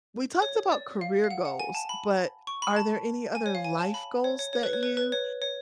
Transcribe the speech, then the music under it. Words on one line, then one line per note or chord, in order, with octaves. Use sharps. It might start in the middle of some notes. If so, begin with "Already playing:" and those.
We talked about career goals, but are there any other life goals that you,
C#5
D5
F5
F5
F#5
F#5
G#5
A5
B5
C#6
B5
A5
G#5
C#5
F5
G#5
A5
B5
C#5
C#5
C#5
B4
C#5
B4
B4
C#5
C#5